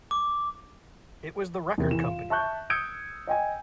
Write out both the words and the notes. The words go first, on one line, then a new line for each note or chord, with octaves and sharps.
It was the record company!
D6
E2 C3 A#4
E3 E7
F4
E5 A5 C#6 F#6 G6
D#6 E6 G6 G#6 C#7 D7
D#5 G5 G#5